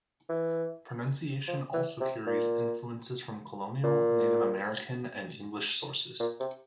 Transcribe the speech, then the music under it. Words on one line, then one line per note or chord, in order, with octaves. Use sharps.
Pronunciation also carries influences from colonial, Native American, and English sources.
E3
F3
E3
C3
A#2
A#2
A#2
C3